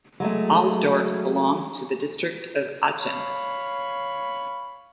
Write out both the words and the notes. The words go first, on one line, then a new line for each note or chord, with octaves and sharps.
Alsdorf belongs to the district of Aachen.
F#3 G#3 A3
C#5 F5 B5